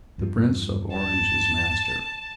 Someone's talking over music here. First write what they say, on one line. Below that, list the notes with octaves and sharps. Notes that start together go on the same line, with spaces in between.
The Prince of Orange is master.
E2 G2 F3
A5